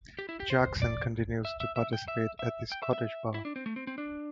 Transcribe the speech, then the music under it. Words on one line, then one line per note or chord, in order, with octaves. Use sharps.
Jackson continues to practice at the Scottish Bar.
G4
E4
G4
C5
D5
E5
E5
E5
G5
E5
E5
G5
E5
E5
E4
D4
C4
A3
C4
C4
D4